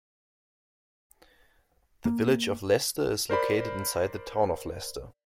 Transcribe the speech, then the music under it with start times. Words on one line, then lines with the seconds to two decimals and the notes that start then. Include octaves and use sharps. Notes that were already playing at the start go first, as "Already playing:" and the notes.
The Village of Leicester is located inside the Town of Leicester.
2.05 A#3
3.30 A#4 C5 D5 B5